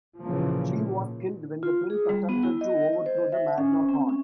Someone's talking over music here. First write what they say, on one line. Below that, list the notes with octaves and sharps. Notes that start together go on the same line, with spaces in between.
She was killed when the prince attempted to overthrow the Magna Khan.
A#2 C#3 E3 F3 A#3
A#2
F4
G#4
G3
B3
E4
D#5
D#5
C5
E5
C#4
C4
C#4